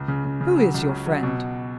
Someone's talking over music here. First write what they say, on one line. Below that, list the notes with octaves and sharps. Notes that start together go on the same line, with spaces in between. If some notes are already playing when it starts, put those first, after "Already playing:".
"Who is your friend?"
Already playing: C#2
C#3
C#3
C#3
F#3
C#2
C#4
F#3
B2